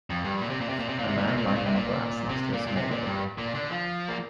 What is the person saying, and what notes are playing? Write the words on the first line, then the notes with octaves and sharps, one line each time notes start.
A man lying on the grass next to a small lake.
F2
G2
A#2
C3
A#2
C3
A#2
C3
A#2
C3
A#2
C3
A#2
C3
A#2
C3
A#2
C3
A#2
A#2
C3
A#2
G2
A#2
D3
F3
A#3